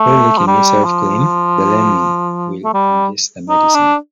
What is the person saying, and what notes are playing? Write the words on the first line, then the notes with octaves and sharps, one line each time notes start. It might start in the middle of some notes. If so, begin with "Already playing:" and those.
Through licking itself clean, the lemming will ingest the medicine.
Already playing: A3
F3
G3
F3
A3
G3
D#4
D4